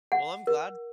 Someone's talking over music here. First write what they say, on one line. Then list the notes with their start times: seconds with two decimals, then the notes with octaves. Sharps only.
Well, I'm glad
0.12 F#5
0.47 A#4